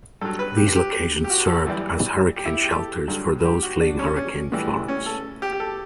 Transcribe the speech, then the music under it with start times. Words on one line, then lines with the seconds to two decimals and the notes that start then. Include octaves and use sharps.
These locations served as hurricane shelters for those fleeing Hurricane Florence.
0.21 G2 F#3 A4
0.39 B4
0.57 G4
0.76 G4
1.24 G4
1.30 F#4
1.47 A4
1.66 F#2 E3 G3
2.36 G4
2.45 E4
2.64 G4
2.73 A4
3.08 G2 D3 F#3
3.45 G4
3.63 F#4
3.81 D4
3.99 C#4
4.16 C#4
4.52 A2 E3 G3
4.88 C#4
5.06 A4
5.42 G4
5.52 G4
5.60 A4